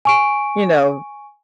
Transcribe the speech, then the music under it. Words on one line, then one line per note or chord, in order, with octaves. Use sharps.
you know?
G#5 C#6 D7